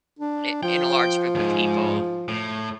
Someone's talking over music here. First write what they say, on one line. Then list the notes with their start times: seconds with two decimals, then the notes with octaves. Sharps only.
in in a large group of people
0.19 D4
0.63 F3 G5
1.35 D#2 G#2
2.28 A2